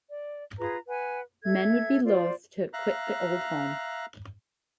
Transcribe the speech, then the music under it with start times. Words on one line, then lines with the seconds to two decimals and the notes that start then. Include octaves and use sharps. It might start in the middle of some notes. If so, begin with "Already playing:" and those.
Men would be loath to quit the old home.
0.09 D5
0.58 F4 G#4 B4 A#5
0.87 B4 F#5 G#5
1.43 A4 E5 G#6
2.05 F4 C5 D5
2.73 E5 F5 A#5 F#6